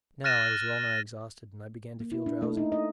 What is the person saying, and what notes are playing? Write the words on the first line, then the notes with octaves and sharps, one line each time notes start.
Now I was well-nigh exhausted, and began to feel drowsy.
F6 F#6 A6 A#6 D#7 E7
A#3
E4
D4
A3
D#4
D#5